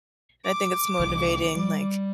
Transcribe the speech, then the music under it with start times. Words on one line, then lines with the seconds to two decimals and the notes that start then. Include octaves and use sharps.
And I think it's motivating, like,
0.45 D6
1.00 C2 D3 E3
1.55 G3